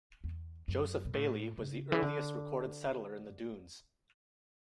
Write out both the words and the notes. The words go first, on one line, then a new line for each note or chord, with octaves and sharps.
Joseph Bailly was the earliest recorded settler in the dunes.
E2
F#2
B2
A2
C#3
E3
D3